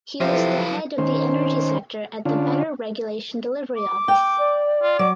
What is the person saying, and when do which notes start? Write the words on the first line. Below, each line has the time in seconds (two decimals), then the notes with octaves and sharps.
He was the Head of the Energy Sector at the Better Regulation Delivery Office.
0.20 C3 F3 F#3 E4 A4 B4 F5
0.98 D#3 C#4 C5
2.25 D3 C#4 D4 F4
3.77 D6
4.08 G5
4.38 D5
4.82 F4
4.99 F#3 D6